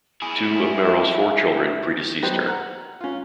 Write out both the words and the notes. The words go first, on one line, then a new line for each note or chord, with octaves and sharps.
Two of Merrill's four children predeceased her.
E4 G#4
F#3 B3 D#4 G4 C5
F#5 A#5 F#6
C#4 F4